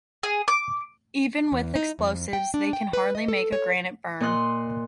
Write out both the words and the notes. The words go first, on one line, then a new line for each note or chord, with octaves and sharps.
Even with explosives, they can hardly make a granite burn.
G#4
D6
E2
D#4
F2
G5
D4
G5
B4
D#5
A4
C#5
A#2 D#5 C6 F#6